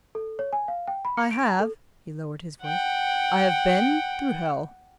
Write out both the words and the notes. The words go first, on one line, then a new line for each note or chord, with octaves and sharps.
"I have"--he lowered his voice--"I have been through hell."
A4
C#5
G#5
F5
G5
B5
C#7
D7
A5
A4
F#5 G5